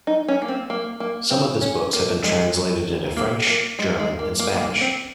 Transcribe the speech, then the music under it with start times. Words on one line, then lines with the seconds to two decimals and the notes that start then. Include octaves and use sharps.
Some of his books have been translated into French, German and Spanish.
0.07 D#4
0.28 C#4
0.42 A#3
0.48 C4
0.70 A#3
1.00 A#3
1.31 C4
1.61 C#4
1.93 A#3
2.24 G#3
3.17 A#3
3.47 A#3
3.79 G#3
3.99 G#3
4.19 A#3
4.39 A#3
4.56 G#3
4.61 A#3
4.81 C4